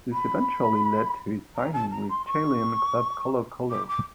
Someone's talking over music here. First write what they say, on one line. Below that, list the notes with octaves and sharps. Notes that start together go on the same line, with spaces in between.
This eventually led to his signing with Chilean club Colo-Colo.
B5
A#5
A5
A#5
C6
C#6
D6
D6